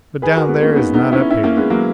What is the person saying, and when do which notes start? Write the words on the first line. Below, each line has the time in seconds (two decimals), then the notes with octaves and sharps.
But down there is not up here.
0.22 G#4 B4
0.36 F#4 A#4
0.49 G#3 B3
0.63 A#3 C#4
0.76 B3 D#4
0.94 B3 D#4
1.12 C#4 E4
1.30 C#4 E4
1.44 A#3 C#4
1.57 G#3 B3
1.70 F#3 A#3